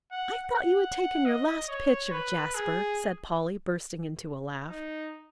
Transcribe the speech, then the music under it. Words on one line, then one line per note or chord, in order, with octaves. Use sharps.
"I thought you had taken your last picture, Jasper," said Polly, bursting into a laugh.
F#5
F#5
D#5
C#5
B4
G#4
D#4